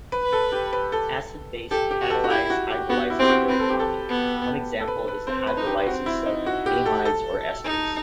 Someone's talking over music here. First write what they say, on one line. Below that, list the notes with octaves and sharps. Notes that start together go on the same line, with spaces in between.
Acid-base-catalysed hydrolyses are very common; one example is the hydrolysis of amides or esters.
B4
B4
A4
G4
B4
A4
G4 A4
G4
F#4
A4
F#4
E4 G4
F#4
G4
B3 F#4
E4
C4 G4
F#4
C4 B4
A4
G4
A4
B3
A4
B4
B4
C4 C5
B4
D#4
G4
C4 F#4
E4
D#4
F#4
G4
A4
A4
D#4